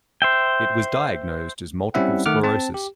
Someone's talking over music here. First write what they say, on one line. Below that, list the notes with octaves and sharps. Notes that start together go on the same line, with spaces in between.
It was diagnosed as multiple sclerosis.
C5 E5 G5
G3 C4 C#4 E4 E5 F#5
D#3 A3 F#5 D6 F6
C4 A5
G4